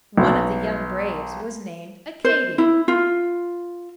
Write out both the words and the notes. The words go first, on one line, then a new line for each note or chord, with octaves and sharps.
One of the young braves was named Accadee.
B1
C5
E4
F4